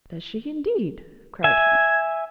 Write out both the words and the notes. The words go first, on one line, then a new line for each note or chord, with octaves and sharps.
"Does she indeed?" cried he.
E5 G#5 G#6